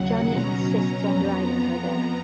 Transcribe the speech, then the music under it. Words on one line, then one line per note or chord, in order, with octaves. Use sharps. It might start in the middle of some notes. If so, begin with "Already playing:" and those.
Johnnie insists on driving her there.
Already playing: D#2 C#3 F#3 F#5
B2 F#3 C#4 A#5
F2 F3 B3